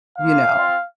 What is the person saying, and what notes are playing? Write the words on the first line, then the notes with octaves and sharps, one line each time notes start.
you know
A#3 F4 F5
C4 F4